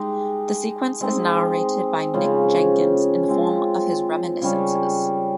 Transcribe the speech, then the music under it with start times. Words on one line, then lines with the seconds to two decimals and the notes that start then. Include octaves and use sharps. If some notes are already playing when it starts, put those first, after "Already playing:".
The sequence is narrated by Nick Jenkins in the form of his reminiscences.
Already playing: G#3 D#4 G4
1.01 G#3 C4 D#4
2.14 C#3 F3 G#3 C#4
3.28 G#3 C4 F4
4.41 C#3 G3 C#4